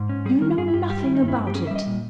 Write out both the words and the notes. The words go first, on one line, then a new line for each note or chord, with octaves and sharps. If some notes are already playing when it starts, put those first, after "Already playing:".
You know nothing about it.
Already playing: G#2
C#4
G3 G#4
D#3 A#4
G2 G#4
E4
G2 G4
G3 G4
D#3 E4
D#4
G2
E4
G2
G4
C#4 G#4
E5
G3 D#5
A#2